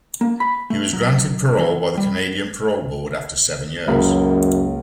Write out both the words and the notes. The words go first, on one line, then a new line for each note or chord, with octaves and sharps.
He was granted parole by the Canadian Parole Board after seven years.
A#3
B5
A3
F#3
E3
G3
C#2 F#2 A#3 B5